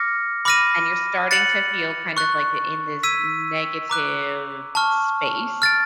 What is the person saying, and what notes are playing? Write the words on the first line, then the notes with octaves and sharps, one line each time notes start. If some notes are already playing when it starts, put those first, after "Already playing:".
and you're starting to feel kind of, like, th in this negative space
Already playing: D6 F6 A#6 C#7
B5 D6 F6 A#6 D#7
F#6 A6 C#7 F#7
C#6 F#6 A6
E6 G#6 B6 D#7
A#5 D6 F#6
A5 C#6 F6
F6 A6 D7